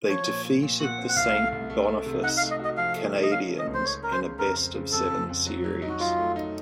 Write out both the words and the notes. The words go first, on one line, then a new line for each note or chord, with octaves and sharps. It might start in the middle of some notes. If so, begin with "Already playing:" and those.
They defeated the Saint Boniface Canadiens in a best-of-seven series.
F3 C#5
A#2
A#2
A#2
A#2
C4
F#5
C2 F5
A3
C2
A3
A3
C3
D#4 F#5
F5
A3
D#5
F#4
D#5
F3 F5
A3
D#4
D#5
C#4 F5
A3
D#5
C#2
C5
C#4 C#5
C#4 A#4
C5
C#3
F2 A#4
C4
C#3
F2 A4
F2
F2
F#3
F#3
D#4
F#4
F#3 F4
A3
D#4